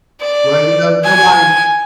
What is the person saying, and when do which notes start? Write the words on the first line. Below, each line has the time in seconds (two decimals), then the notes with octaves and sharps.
Well, you know, nobody
0.21 D5
1.04 G#5